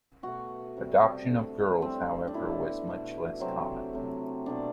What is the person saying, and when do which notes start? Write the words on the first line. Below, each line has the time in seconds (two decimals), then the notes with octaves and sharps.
Adoption of girls, however, was much less common.
0.23 B2 A3 F#4
0.77 C3 G3
1.28 D3 A3
1.82 A2 G3 C4
2.27 D4
2.34 B2 A3 E4
2.87 B2 A3
3.40 C3 F#3 A3 C4
3.93 C3 F#3 A3
4.46 B2 A3 D4